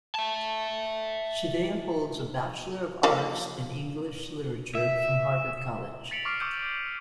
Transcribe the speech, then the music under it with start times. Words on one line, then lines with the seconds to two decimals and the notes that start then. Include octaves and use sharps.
Chideya holds a Bachelor of Arts in English Literature from Harvard College.
0.15 E5 A5
3.03 F3 A#3 G4
4.75 E5
6.11 A6 B6 C#7 D7 F7 F#7
6.25 C#6 D6 F6 C7 D7
6.39 C#6 D6 E6 G6 D#7 F#7